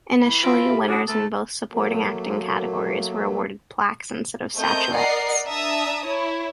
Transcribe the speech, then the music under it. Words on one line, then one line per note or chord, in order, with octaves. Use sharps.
Initially, winners in both supporting acting categories were awarded plaques instead of statuettes.
E3 B5
F3 C4 F4 C6 E6 A#6
G4 A4 E5
C#4 D4 F#4 D6 D#6
D2 A3 A4 A6
F#3 A3 A#3
A3 C4 A#4 D#5 G6
A#4 D5 D#5 F#5 C7
D4 E5 A5 A#5 D#6
E4 C#5